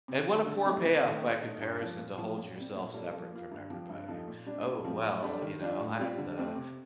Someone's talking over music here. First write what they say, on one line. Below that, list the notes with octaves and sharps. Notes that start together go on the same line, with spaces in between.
and what a poor payoff by comparison to hold yourself separate from everybody. "Oh, well, you know, I am the
C3
D#3 A3
D3
A3 C4 D#4 G4
C3
D#3 A3 D#4 G4
A#2
A3 D#4
G2
F3 A#3
A#2
F3 A3
A#2
G3 C4
A#2
G3 A#3 F4 A4
F3
A#3 F4
G2
F3 C4 G4
G2
F3 C4 D#4 A4
A#2
G3 D4
A#2
F3 A3 C4 G4
A2
G3 D4 A4
D#3
G3 D4 F4
A2
G3 C4 F4
D3
A3 C4 G4
C3